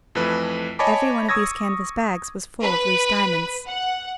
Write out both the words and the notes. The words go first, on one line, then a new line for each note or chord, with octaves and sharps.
Every one of these canvas-bags was full of loose diamonds.
F2 E3 A3 B4
C#5 D#5 G#5 A5 B5 D6
C#6 D#6 E6 G#6 A#6
B4
F#5